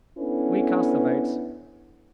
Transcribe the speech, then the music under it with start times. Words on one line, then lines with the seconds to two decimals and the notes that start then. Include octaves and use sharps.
We cast the votes.
0.18 B3 C#4 D4 E4 A4 B4